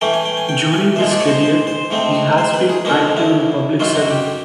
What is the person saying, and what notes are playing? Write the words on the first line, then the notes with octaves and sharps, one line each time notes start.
During his career, he has been active in public service.
A2 E3 A3 C#4 G5
G#5
G5
G#5
G5
G#5
A#2 F3 G#3 E5
D5
C#5
C5
C5
C5
G#2 F3 A3 C4
C5
B4
G#4
F2 D3 F3 A#3 C#4 D#4
E4
F#2 D#3 F#3 F4
F#4
G4